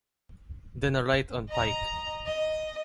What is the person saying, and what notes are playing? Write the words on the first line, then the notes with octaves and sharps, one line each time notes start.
Then a right on Pike.
D#5 A#5
D#5